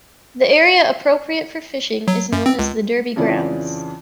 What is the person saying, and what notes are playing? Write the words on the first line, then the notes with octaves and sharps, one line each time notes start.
The area appropriate for fishing is known as the derby grounds.
F#3
F#2
C4
C#2
F2 C#3 E3 F4 D5